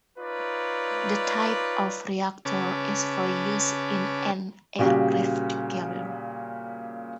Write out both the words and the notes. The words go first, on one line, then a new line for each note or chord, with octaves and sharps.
The type of reactor is for use in an aircraft carrier.
D#4 F4 B4 C#5 D5
C#3 C#4 B4 A5 D6
A#2 C#3 G3 F#4 G4